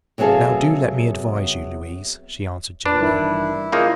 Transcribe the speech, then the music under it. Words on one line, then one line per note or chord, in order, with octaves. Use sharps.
'Now do let me advise you, Louise,' she answered gently.
C3 F#3 B3 G#4 A4 F5
A#2 D4 B4
A1 G2 D#3 E4
C#3 A#3 D#4 F4